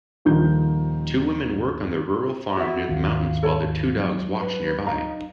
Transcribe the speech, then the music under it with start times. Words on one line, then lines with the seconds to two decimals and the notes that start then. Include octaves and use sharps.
Two women work on their rural farm near the mountains while their two dogs watch nearby.
0.25 D#1 D#3 F3 G6
2.57 E4 F#4 E5
2.89 G#1 D#2 F5
3.43 A4 C#5 A5
3.97 F#3 G#3
4.38 B4
4.86 D#4 F5 A#5